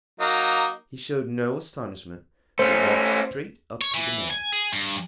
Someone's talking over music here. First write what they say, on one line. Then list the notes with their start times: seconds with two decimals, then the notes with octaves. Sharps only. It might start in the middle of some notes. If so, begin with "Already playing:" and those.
He showed no astonishment, but walked straight up to the man.
0.20 F#3 A#3 D#4
2.59 A3 C#4 C5
3.81 C#5
3.94 E3
4.31 G#5
4.53 G#4
4.73 G2